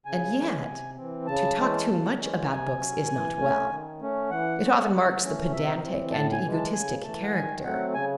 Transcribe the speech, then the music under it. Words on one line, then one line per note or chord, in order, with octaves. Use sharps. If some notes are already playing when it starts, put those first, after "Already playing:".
And yet, to talk too much about books is not well; it often marks the pedantic and egotistic character.
C#3 G#5
E3 G#3 C#4
C3
E3 C4
C#3 A5
E3 G#3 C#4
C#3
E3 G#3 C#4
C3 G#5
F#3 C#4
E3
A3 C#4
D#3
A3 C#4
E3 F#5
A3 C#4
C#3
E3 A3 C#4
C3 E5
E3 C4
A2 A5
G#5
E3 G#3
A5
C#3 G#5
E3 A3 A5
F#5
D#3 G#5
F#3 A3 C4 F#5
C#3 G#5